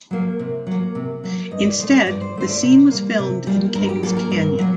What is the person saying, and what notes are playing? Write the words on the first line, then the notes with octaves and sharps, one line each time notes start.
Instead, the scene was filmed in King's Canyon.
F#3 A#3
C3
F#3 A#3
C3
F#3 A#3
G2 D#5
D5
D3 A3 C5
D5
G2 D5
C5
D3 A3 C5
D5
C3
G3 A#3
C3
G3 A#3
G2 A#4
G4
F#3 A#3 A4
A#4
G2 A#4
F#3 A#3